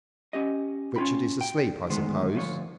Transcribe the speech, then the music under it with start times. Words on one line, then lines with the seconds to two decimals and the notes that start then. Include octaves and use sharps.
"Richard is asleep, I suppose?"
0.33 C#4 G4 D#5
0.96 C#4 F4 G#4 G5 B5
1.41 G5
1.90 D2 D#3 G#3 B3 C5
2.35 D2 F3 C5 C#5